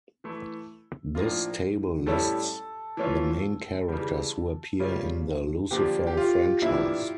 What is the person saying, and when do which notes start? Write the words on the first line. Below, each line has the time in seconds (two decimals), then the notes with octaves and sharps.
This table lists the main characters who appear in the Lucifer Franchise.
0.24 E3 A3 E4
1.15 A2 F3 A#3 D4 F4
2.06 A2 G3 C#4 E4 A4
2.97 E3 A3 C#4 F4
3.89 C#3 E3 G3
4.80 C#3 G3 C#4 F4
5.71 D3 F3 A#3 D4 F4 G4
6.07 G4
6.17 F4
6.62 A2 E3 A#3 D4 E4